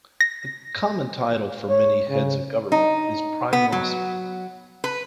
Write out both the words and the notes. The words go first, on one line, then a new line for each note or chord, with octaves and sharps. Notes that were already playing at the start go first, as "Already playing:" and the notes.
A common title for many heads of government is prime minister.
A#6
C#5
C#3
D#4
B3
F#3
B4